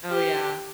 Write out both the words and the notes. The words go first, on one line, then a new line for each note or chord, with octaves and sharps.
Oh, yeah.
G4